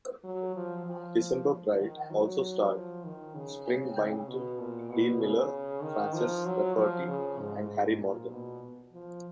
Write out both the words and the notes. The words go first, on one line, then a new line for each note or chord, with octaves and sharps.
"December Bride" also starred Spring Byington, Dean Miller, Frances Rafferty, and Harry Morgan.
F#3
F3
F3
D#3
F#3
F3
D#3
C#3
C#3
B2
A#2
B2
C#3
D#3
F3
F#3
F3
C#3
G#2
A#2
B2
F3